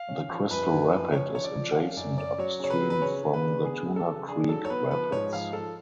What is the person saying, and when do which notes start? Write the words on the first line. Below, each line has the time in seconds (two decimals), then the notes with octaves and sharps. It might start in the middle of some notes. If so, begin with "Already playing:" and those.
The Crystal Rapid is adjacent upstream from the Tuna Creek Rapids.
Already playing: F5
0.09 C#4
0.30 F3
0.51 F#2 B4
0.72 F#2
0.93 F3
1.13 C#4 C#5
1.34 F3 C#5
1.44 D5
1.55 F3
1.71 F#5
1.77 C#4 F5
1.97 F#2 D5
2.17 C#4 D5
2.38 F#3 C#5
2.60 C#3 C#5
2.70 B4
2.81 F#3
2.90 B4
3.02 C#3 C#5
3.23 C#3
3.34 B4
3.44 D4
3.65 B3 G#4
3.86 F#3
3.96 A4
4.07 C#3
4.28 D4 G#4
4.48 F#3 A4
4.65 C#5
4.70 B3 B4
4.91 F3 B4
5.12 G#2 C#5
5.32 F3 F5
5.53 F3 A4